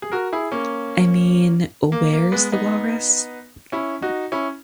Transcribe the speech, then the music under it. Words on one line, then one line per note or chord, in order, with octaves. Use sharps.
I mean, where's the walrus?
G#4
F#4 A#4
E4 G#4
A#3 C#4
A#3
A#3
G#3 B3
B3 D#4
C#4 E4
D#4 F#4
C#4 E4